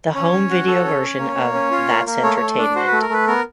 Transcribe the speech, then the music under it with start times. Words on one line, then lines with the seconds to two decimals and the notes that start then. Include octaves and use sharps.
The home video version of That's Entertainment!
0.15 C#4 C#5
0.32 C#4
0.50 F#4
0.67 A4
0.84 C#4
1.02 C#4
1.19 A#3
1.36 A#3
1.54 C#4
1.71 F4
1.89 A#3
2.06 A#3
2.22 A3 C#5
2.36 A3 C#5
2.58 D4 D5
2.76 F#4 C5
2.87 A3 B4
3.01 A#4
3.09 A3 B4
3.27 B3 A#4